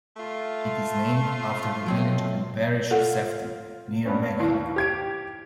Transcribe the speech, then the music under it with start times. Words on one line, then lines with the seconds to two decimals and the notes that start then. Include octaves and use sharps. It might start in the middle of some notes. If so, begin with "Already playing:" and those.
It is named after the village and parish of Sefton, near Maghull.
0.17 A3 F4
1.86 F#3 C4 D#5
2.91 F4 A4 F#5
4.05 G2 B3 C#4
4.40 D#2 E4
4.76 G4 G#6 D7